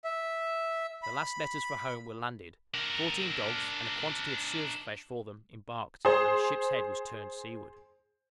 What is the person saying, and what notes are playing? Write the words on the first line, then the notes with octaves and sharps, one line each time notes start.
The last letters for home were landed, fourteen dogs and a quantity of seal's flesh for them embarked, and the ship's head was turned seaward.
E5
B5
D4 A#4
G#4 C5